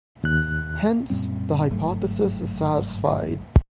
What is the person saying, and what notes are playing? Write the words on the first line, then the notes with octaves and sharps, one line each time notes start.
Hence, the hypothesis is satisfied.
D#2 F#6
F#2 A#2 G3 C4
G1 G#2 F#3 A3